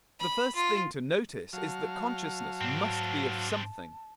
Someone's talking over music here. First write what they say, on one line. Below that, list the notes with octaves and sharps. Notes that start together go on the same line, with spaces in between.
The first thing to notice is that consciousness must be of something.
B5
F4
F#3 F5 A5
G#2 C4 D4